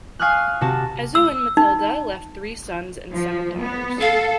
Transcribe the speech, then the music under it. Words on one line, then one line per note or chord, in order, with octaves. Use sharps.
Ezzo and Mathilda left three sons and seven daughters.
F5 G#5 C#6 D#6 F6 F#6
C3 F#4 A5 A#6
E6
D#4
F3
B3
A4 F5